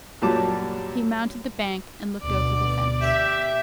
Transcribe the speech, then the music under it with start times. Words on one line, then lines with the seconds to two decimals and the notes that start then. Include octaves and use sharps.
He mounted the bank and looked over the fence.
0.22 F#2 A#2 F#3 G3 A5 D6
2.23 D2 B2 D5
3.02 G4 E5